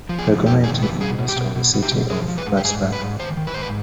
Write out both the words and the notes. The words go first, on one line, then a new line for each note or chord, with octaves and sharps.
The community is west of the city of Plattsburgh.
F3
G#4
G#2
F2 G4
D#3 G#4
F2 B4
B2 G#4
B2
G4
B2
B2
B2
G4
B2
F3 G#4
F3
B4
G#2
G4
G#2 G#4
G#2
B4
G#2
D#3 C5
D#3
B4
G#2 C5
B4